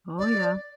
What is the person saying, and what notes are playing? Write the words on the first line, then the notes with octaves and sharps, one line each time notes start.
Oh, yeah.
D5